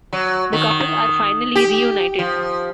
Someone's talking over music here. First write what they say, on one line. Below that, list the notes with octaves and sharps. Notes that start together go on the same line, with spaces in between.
The couple are finally reunited.
F#3
D#3
G4
F3